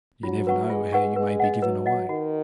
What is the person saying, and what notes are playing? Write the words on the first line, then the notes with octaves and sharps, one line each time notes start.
You never know how you may be given away.
F#3 F4
B4 F#5 C#6
G#3 F4
B4 F#5 C#6
G#3 B4
D#5 F#5
F#3 B4
D#5 F#5
D#3 F#4